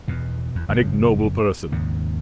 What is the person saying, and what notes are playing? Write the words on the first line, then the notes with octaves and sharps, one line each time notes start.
An ignoble person!
E2 B2
E2
F#1 F2 A2 C#3
D#2 G#2 C#3